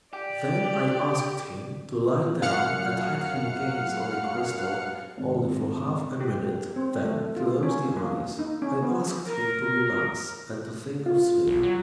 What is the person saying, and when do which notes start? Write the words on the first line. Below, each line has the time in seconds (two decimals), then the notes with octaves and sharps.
Then I asked him to lie down and had him gaze on a crystal only for half a minute, then close the eyes. I asked him to relax and to think of sleep.
0.13 G4 D5
2.42 F#2 F5 F#5 F6 C#7
5.17 G#1
6.20 G4
6.76 C4
7.05 A3
7.36 F4
7.63 C#4
7.97 A#3
8.39 D#4
8.62 C#4
8.83 B3
9.27 A#4
11.06 F4
11.47 B1
11.63 F#3